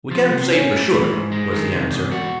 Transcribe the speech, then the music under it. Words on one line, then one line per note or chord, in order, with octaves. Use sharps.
"We can't say for sure," was the answer.
F3
C3
C#4
A3
E3
G#2
G#3
D#3
C3
E2
F#4